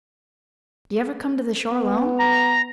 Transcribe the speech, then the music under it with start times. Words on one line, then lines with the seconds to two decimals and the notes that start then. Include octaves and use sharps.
"Do you ever come to the shore alone?"
1.72 B3
2.19 A#5